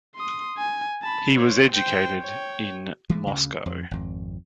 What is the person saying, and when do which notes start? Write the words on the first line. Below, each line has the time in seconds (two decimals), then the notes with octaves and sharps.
He was educated in Moscow.
0.15 C6 D#6
0.58 G#5
1.03 A5 B5
1.35 C5 C#5
1.72 C5 G5
2.21 C#5 G5
3.10 E3 G#3 A3
3.27 D2 C#3
3.66 F2
3.91 G#1 F2